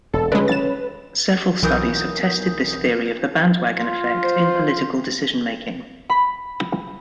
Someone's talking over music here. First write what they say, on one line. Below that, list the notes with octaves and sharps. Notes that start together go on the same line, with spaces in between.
Several studies have tested this theory of the bandwagon effect in political decision making.
E1 A4
D3 G#3 C#4 B4
A6 E7
B1 E3 F#3 A#4 D#6 G6
F4
C5
B5